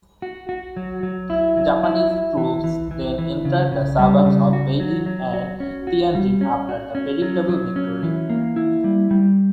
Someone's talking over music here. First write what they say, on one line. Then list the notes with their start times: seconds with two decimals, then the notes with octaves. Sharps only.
Japanese troops then entered the suburbs of Beijing and Tianjin after the predictable victory.
0.22 F#4
0.49 F#4
0.77 F#3
1.03 F#3
1.30 E4
1.57 F#3
1.84 E4
2.11 E4
2.37 E3
2.64 E3
2.91 E3
3.18 E3
3.45 C#3
3.72 C#3
3.99 G3
4.26 C#3
4.53 F#4
4.80 F#3
5.06 F#3
5.33 F#4
5.60 C#4
5.87 F#4
6.15 G3
6.41 C#4
6.69 F#4
6.95 C#4
7.22 F#3
7.49 F#3
7.76 C#4
8.03 E3
8.30 A#3
8.56 E4
8.84 G3
9.11 G3